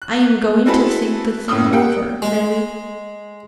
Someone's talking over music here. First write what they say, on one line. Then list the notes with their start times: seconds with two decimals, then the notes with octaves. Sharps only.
I am going to think the thing over, Milly.
0.02 F#6
0.66 C4 E4 F#4 G#4 A4 B4
1.48 F#1 A2 C#3 D#6 E6
1.72 G4 F#5 G5
2.22 G#3